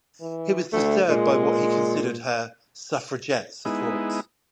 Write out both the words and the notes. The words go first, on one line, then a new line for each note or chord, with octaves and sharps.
He was disturbed by what he considered her suffragette support.
E3
D2 A3
A#2 G#3
G#3 B3 D#4 E4